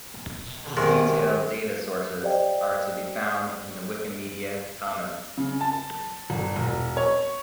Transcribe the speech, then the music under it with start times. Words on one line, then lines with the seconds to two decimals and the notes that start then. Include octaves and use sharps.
Detailed data sources are to be found in the Wikimedia Commons.
0.77 C2 D#3 G#3
2.23 G4 C5 D5 D#5 F5 G5
5.38 C#3
5.61 A5
6.30 G1
6.56 E1
6.97 C#5